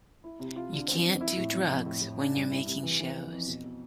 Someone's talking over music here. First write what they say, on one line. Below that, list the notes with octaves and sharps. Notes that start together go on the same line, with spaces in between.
You can't do drugs when you're making shows.
E4
C3
F4
D3
C4
F2
E4
A2
F2
F2
A2
A2
D4
G2
E4
C3
E3
E3
F2
F2
B2
B2